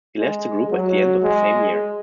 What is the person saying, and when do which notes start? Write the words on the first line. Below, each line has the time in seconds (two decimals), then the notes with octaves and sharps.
He left the group at the end of the same year.
0.18 G#3
0.70 F#3
1.23 G#3